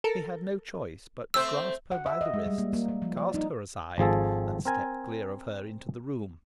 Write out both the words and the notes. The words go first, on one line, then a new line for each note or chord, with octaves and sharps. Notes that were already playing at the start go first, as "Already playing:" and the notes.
He had no choice but to grasp her by the wrists, cast her aside, and step clear of her into the room.
A4 A#4
A3 C4 C5 E6
F#5
E5
D#5
G#3
G3
A#3
A#3
A#3
F3
D5
D#4
G#1 F3 G#4 A4
C4 A#4 G#5